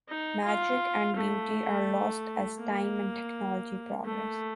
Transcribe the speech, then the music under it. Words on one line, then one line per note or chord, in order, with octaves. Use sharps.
Magic and beauty are lost as time and technology progress.
D#4
F4
A3
A#3
A3